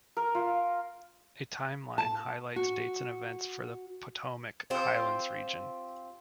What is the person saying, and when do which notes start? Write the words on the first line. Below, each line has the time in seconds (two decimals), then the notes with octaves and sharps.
A time line highlights dates and events for the Potomac Highlands region.
0.17 A#4
0.35 F4
1.98 A5
2.56 F#4
4.70 C4 F4 G4 C5